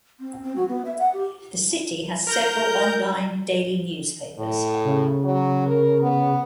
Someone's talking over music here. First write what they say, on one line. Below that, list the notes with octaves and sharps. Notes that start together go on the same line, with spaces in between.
The city has several online daily newspapers.
C4
C4
F#4
B3
E5
F#5
G4
A#4 A#5 G6
A2
C#3
F#3
A#4
B3